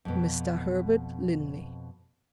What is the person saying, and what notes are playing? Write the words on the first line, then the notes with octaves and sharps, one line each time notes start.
Mr. Herbert Linley.
F2 B2